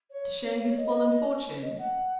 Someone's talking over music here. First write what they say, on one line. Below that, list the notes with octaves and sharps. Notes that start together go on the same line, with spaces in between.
"To share his fallen fortunes?"
C#5
C#5
D#5
B4
C#5
D#5
F#5